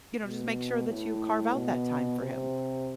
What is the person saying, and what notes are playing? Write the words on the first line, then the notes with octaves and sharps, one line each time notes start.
you know, just make sure that you carve out that time for him.
B2
A2
B2
C3